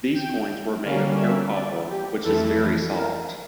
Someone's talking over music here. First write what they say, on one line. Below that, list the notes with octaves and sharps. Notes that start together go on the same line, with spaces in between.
These coins were made of pure copper, which is very soft.
G5
D3 G3 A#3 C#4 F5
E5
D5
G4
F2 E3 A3 E4 A4
A#4